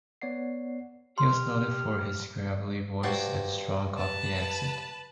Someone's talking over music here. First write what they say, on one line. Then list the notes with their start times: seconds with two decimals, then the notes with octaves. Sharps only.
He was noted for his gravelly voice and strong Cockney accent.
0.22 B3 C#5 D5 F#5 C7
1.18 G4 C6 F6
3.03 G2 F#4 C5 D5
3.98 B4 A5